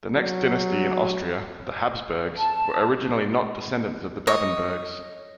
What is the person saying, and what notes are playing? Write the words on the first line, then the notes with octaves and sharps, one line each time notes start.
The next dynasty in Austria-the Habsburgs-were originally not descendants of the Babenbergs.
F#3
A5
C#5 D#5